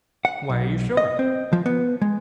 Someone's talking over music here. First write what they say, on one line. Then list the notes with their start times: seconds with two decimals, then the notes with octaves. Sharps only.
"Why are you sure?"
0.25 F#5
0.50 B1
0.97 D#5
1.19 C4
1.53 F3
1.66 B3
2.02 G#3